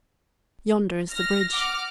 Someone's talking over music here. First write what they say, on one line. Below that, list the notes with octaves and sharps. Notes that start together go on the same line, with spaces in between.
"Yonder is the bridge."
F6 A#6
F#5 D6 F6